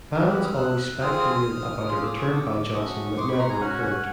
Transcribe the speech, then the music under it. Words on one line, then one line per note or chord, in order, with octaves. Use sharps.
Fans always speculated about a return by Johnson that never occurred.
G#3 B3 E4 G4 D#6 F6
E6 F#6
D#6 F6
E6 F#6
C4 F4 G#4 D#6 F6
C#4 F4 G#4 D#6 F6
D6 E6
C#6 D#6
D6 E6
A3 C#4 F#4 C#6 D#6
C6 D6
B5 C#6
A#5 C6
G#5 A#5
C#4 F#4 F#5 G#5
F#5 G#5